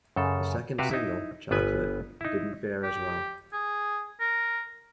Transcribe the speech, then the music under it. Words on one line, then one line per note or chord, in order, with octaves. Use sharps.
The second single, "Chocolate" didn't fare as well.
F#2 C#3 A4
C3 F#4 G4 B4 F5
D#4 E4
G1 B3 B4 G#5
D#4 E4
G4
G#4
A#4